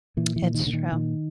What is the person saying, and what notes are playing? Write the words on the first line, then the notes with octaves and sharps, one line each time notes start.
It's true.
A#2 E3
E3
A#2
D#3
A#2 D3
D#3
A#2 D#3